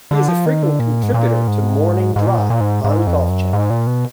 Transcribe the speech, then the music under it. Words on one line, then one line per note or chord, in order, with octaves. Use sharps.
He is a frequent contributor to "Morning Drive" on Golf Channel.
D3
F3
D#3
D3
A#2
G#2
A#2
G#2
G#2
A#2
G#2
A#2
G#2
G#2
F2
F#2
G#2
A#2
B2